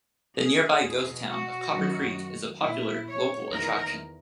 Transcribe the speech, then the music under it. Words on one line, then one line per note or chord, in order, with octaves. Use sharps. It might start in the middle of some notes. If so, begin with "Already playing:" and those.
The nearby ghost town of Copper Creek is a popular local attraction.
G#4
E2 B2
F#4
F#2 D#3
A#2 E4
C#5
E2 D#3 A#4